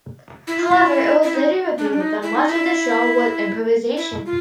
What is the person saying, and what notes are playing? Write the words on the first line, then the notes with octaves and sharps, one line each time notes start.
However, it was later revealed that much of the show was improvisation.
E4
F4
E4
E4
D#4
D4
C#4
D4
D#4
E4
D#4
E4
E4
F4